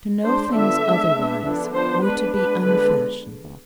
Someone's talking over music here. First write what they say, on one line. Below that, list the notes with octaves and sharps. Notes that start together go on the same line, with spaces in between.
To know things otherwise were to be unfashionable.
G#3 D4 C5
D3 F3 B3 D4 E5
G#3 B3 D4
G#3 B3 D4
D3 F3 B3 D4
F3 B3 D4 C5
G#3 B3 D4 B4
G#3 B3 D4 B4
D3 G#3 B3 D4 B4